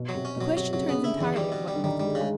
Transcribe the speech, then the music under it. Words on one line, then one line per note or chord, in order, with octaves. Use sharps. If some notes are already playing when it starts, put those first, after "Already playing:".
The question turns entirely on what you think of me.
Already playing: B2
F#3
C3
C#4
B2 F#3
C3 F#3
C3 F#3
C#3
C#3 B3
D3
E4
E2 D#3
G3
B2
G3
D3
D#3 G3
G3
G#3
C#3
G#3